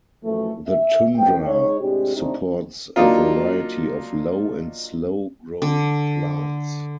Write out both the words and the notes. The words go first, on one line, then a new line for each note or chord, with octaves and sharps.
The tundra supports a variety of low and slow-growing plants.
F#2 A2 E3 F3 A3
E5
E2 C3 B3 E4 G5
G#3 D#4 C#5
A2 C3 G#3 D4 G4
C3 A3 C4 D4 D#4
F#3 A#3 D4 D#4 F4
D3